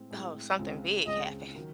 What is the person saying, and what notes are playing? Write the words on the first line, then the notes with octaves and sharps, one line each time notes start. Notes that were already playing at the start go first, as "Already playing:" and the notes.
Oh, something big happened,
Already playing: A2 G#3 C4
A2 G#3 C4
C#2 C#3 G#3 C4
C#2 C#3 G#3 C4 D#5
D#3 F#3